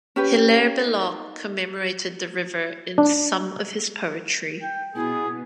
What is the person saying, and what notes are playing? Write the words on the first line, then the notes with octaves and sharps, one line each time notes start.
Hilaire Belloc commemorated the river in some of his poetry.
C#4 G4 B4
D#4
D4
G5
B2 B3 E4 G#4